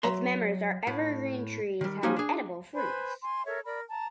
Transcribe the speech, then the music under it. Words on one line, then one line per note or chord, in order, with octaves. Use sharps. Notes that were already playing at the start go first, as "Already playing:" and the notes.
Its members are evergreen trees having edible fruits.
F#3 E5 A#5 C6
A2
D#3 G3
F3 F#3 A#3 C#4 D#4 F#4
D4 G#4
B4 C5 G#5 B5
G#5 C6
A4 A#4 C#5 E5
A#4 D5 B5
A5 A#5